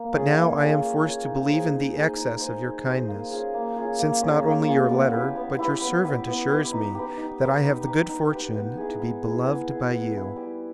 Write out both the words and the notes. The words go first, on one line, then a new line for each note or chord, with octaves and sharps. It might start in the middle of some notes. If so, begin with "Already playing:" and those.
But now I am forced to believe in the excess of your kindness, since not only your letter but your servant assures me that I have the good fortune to be beloved by you.
Already playing: A#3
C#4 F4 G#4
A#3
C#4 F4 G#4
A#3
C#4 F4 G#4
D#4
G#4 C5 D#5
D#4
G#4 C5 D#5
D#4
G#4 C5 D#5
D#4
G#4 C5 D#5
A#3
C#4 F4 G#4
A#3
C#4 F4 G#4
A#3
C#4 F4 G#4
A#3
C#4 F4 G#4
B3
E4 G4 B4
B3
E4 G4 B4
B3
E4 G4 B4
B3
E4 G4 B4
D#4
G4 B4
D#4
G4 B4
D#4
G4 B4
D#4
G4 B4
B3
E4 G#4
B3
E4 G#4
B3
E4 G#4
B3
E4 G#4
G3